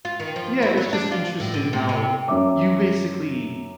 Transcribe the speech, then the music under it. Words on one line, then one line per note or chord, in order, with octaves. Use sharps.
Yeah, it's just interesting how you basically
F4
D#3
F3
E4
F#3
D4
F4
A2
D3
A2
C3
F#2 E5 D6